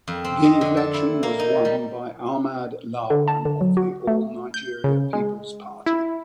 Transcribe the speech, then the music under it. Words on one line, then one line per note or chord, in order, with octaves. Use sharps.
The election was won by Ahmad Lawan of the All Nigeria Peoples Party.
F2
C4
D#5
D3
A4
E4
A#3
D#4
G3
D3
A5
D3
F#3
F#4
A3
G6
C#3
G#3
E4